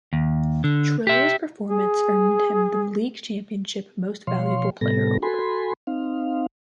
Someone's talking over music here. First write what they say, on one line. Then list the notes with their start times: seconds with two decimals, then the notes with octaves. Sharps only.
Trillo's performance earned him the League Championship Series Most Valuable Player Award.
0.13 D#2
0.64 D3
1.07 G4 E5
1.69 G#4
4.27 B2 F3 C#5 F5 C6
4.81 A2 C3 G3 B3 A4 A#6
5.22 F#4 A4 G#5 B5 C6
5.87 C4 D#4 F5